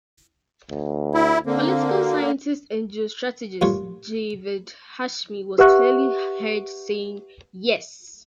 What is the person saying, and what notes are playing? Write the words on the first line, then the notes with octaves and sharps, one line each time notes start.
Political scientist and geostrategist Javed Hashmi was clearly heard saying: Yes!
D2
E4
D3 A#3 C4
F#4
A1 G2 A#2 F4 C#5
G4 B4 E5 F#5 C#6 F#6